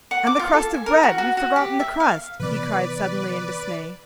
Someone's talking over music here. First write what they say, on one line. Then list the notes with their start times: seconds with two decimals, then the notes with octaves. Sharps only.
"And the crust of bread, we've forgotten the crust!" he cried suddenly in dismay.
0.11 F#5
0.27 D6
0.39 F4
0.54 A4
0.74 G#5
0.86 A#4
1.03 F#4
1.18 F#4
1.37 F#4
1.56 G4
1.80 E5
2.00 F5
2.39 C3 E3 B3 B4 D5